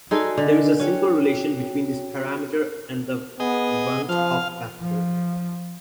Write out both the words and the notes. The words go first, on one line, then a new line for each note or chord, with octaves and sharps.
There is a simple relationship between this parameter and the van 't Hoff factor.
D#4 F#4 G#4 A4 D5 C6
D3 D4 D#5
C#4 F#4 C#5 G5
B3 G#4 D#5
F3 F5
F3